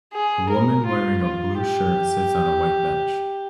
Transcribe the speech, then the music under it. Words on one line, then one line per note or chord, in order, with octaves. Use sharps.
A woman wearing a blue shirt sits on a white bench.
G#4
A#4
F4
F4
G4